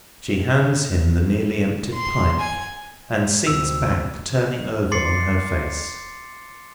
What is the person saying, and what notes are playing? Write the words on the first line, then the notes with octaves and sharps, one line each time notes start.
She hands him the nearly-emptied pipe, and sinks back, turning over on her face.
C6
G#5
D2 C3 C4 E6
C6 D6 A6 C7 C#7